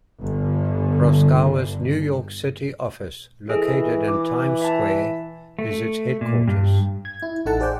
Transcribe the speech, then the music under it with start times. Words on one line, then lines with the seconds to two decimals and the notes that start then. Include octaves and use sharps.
Proskauer's New York City office, located in Times Square, is its headquarters.
0.21 G1 D3
3.49 E3 G#4 A4 D#5
4.08 D6
4.62 E5 A5
5.59 A3
6.21 A#2
6.47 G2
7.05 G#6
7.22 E4
7.46 A1 D#4 A4 F#5 A5
7.60 G#4 C5 D5 F#5 G5